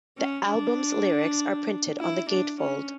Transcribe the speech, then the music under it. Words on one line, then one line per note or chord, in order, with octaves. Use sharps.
The album's lyrics are printed on the gatefold.
C#4
D4
E4
D4
C#4